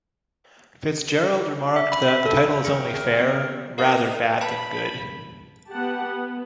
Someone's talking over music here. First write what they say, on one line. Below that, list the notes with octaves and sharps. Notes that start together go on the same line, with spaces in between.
Fitzgerald remarked that the title is only fair, rather bad than good.
E5
B5
E5
A4
G4 G#4 A#4 E5
B3
B3 D#4 A#4 F5
B4 G5 A5 B5
B3 G4 F#5 A5
B3